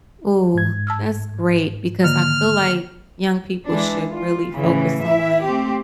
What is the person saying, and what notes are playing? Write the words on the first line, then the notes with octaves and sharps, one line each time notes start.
Ooh, that's great because I feel like, young people should really focus on
G#2 G#6
A5 E6 F6
D3 D#3 A#3 F6
E3 G#3 D4
F4
A2 C#3 E3
E4 E5
A3 C4 G4